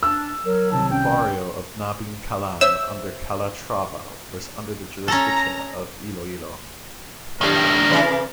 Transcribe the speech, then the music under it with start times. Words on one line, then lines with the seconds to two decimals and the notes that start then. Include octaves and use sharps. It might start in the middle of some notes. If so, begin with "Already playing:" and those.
The barrio of Nabingkalan under Calatrava, was under the jurisdiction of Iloilo.
0.03 D4 E6
0.45 F#3 A#4
0.72 C2 C3 D#3 A5
0.91 C#4 G5
2.61 C5 C#5 E5 E6
5.08 C#4 A4 A#5
7.41 A2 D#3 D4 G4 A#4
7.90 C3 E3 D5